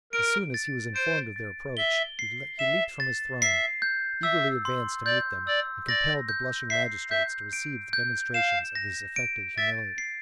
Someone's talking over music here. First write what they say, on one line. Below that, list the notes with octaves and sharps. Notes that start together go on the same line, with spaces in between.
As soon as he was informed of their approach, he leaped from his throne, eagerly advanced to meet them, and compelled the blushing magistrates to receive the demonstrations of his affected humility.
A#4 D7
A6
C5 D7
A6
E5 G7
C7
E5 E7
A6
E5 C7
G6
E5 E6
C6
D5 G6
D5 E6
D5 A#6
G6
E5 C7
E5 G6
D7
G6
F5 E7
A#6
D7
E5 A6
C7